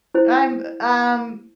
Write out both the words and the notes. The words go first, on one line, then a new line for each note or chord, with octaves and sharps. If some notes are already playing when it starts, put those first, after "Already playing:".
I'm, um,
E4 C5